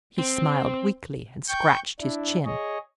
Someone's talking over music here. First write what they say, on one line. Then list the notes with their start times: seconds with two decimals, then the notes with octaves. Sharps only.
He smiled weakly and scratched his chin.
0.18 C4
1.48 G5 C#6 G6
2.00 D4 E4
2.45 G#4 C#5 D#5